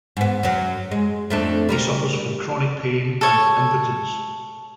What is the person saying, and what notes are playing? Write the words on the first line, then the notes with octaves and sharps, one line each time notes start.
He suffers from chronic pain and impotence.
G#2 B3
F#2 F#3
G#3
F2 A3 D4
G3 E4 A#4
A4 C#5